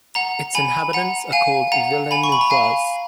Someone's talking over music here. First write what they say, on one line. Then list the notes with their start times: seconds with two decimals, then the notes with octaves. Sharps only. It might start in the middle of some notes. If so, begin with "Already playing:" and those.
Its inhabitants are called "Villeneuvois".
0.15 F#5 A#5
0.55 G#5 B5
0.93 F#5 A#5
1.32 F5 G#5
1.72 F#5 A#5
2.11 G#5 B5
2.24 C#6
2.32 B5
2.41 A#5
2.50 F5 G#5